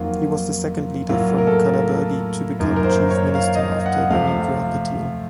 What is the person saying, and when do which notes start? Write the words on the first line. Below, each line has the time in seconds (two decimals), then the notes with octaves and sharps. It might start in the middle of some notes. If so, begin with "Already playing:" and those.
He was the second leader from Kalaburgi to become Chief Minister after Veerendra Patil.
Already playing: F2 D#3 F#3 A#3 F4
1.09 A2 F#3 A#3 F4
1.38 A#4
1.47 A4
2.59 F#2 D#3 A#3 A#4
2.76 A#4
2.84 C5
3.10 C#5
3.35 F5
3.55 D#5
3.60 F5
3.86 F#5
4.10 C3 F3 A3 F5
4.28 F5